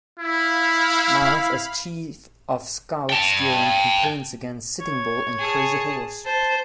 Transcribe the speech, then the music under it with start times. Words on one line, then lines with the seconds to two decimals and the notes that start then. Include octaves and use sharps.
Miles as chief of scouts during campaigns against Sitting Bull and Crazy Horse.
0.19 E4 F5 B5
3.09 G5 A5
4.80 C#5
5.39 G#4 A5
6.25 C5 A5